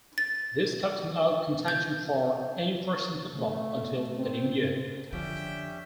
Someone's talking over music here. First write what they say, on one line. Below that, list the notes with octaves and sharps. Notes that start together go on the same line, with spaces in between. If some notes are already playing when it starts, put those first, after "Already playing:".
This kept him out contention for any first team football until the New Year.
A6
G6
A3
C4
F2 D3 F3 C#4 G4 E5 G5